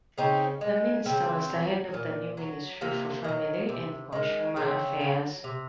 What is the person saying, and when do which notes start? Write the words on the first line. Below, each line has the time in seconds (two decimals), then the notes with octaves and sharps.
The minister was the head of the new Ministry for Family and Consumer Affairs.
0.18 C#3 C4 D#4
0.61 G#3
1.05 C#3 C4
1.49 F#3
1.94 A#2
2.37 F#3
2.81 C3 A#3
3.24 D#3 F#3
3.69 C3
4.12 D#3 G#3
4.56 C#3 C4
5.01 F#3
5.44 C3